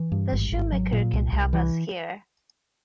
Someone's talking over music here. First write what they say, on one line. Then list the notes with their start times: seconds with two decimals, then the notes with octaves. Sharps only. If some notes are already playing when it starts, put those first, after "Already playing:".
The shoemaker can help us here.
Already playing: E3
0.12 G2
0.32 G#1
0.52 G#1
0.72 F#3
0.93 A#2
1.13 C2
1.32 C2
1.53 E3